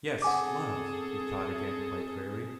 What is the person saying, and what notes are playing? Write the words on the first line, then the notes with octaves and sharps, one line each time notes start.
"Yes--love," he thought again quite clearly.
C4 G#4 A4 F#5 G#5 D6